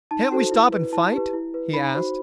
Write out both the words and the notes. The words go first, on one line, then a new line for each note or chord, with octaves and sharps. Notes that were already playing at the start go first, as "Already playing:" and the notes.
"Can't we stop and fight?" he asked.
D#4 A5
F#4 A4 C5
E4
B4
E4 A5
G4 B4
E4
B4
D#4 B5
F#4 C5